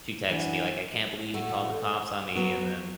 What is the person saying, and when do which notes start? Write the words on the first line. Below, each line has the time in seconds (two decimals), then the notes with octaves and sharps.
She texted me, like, "I can't believe you called the cops on me," and then
0.30 E3 D4 F#4
1.33 A2 A3 F#4
2.36 F#3 B3 F#4